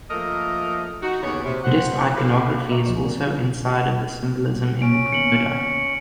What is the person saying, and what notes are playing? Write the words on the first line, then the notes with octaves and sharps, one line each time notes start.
Buddhist iconography is also inside of the symbolism in the pagoda.
F3 A3 A#3 A#4 D#5 E5
D#4 F#4
D#2 C#3 E3 B3 C#5
C3
F2 C5 F#5
E4 F#4 G4 A4 B4 F5
B4 D#5 E5 A#5 C#6 D6
C#2 F3 F#3 D5 C#6 E7
D#3 C4 A#4
D4 F4
C#4 C#5 D7
D#3 A#3 B3 C#7 F#7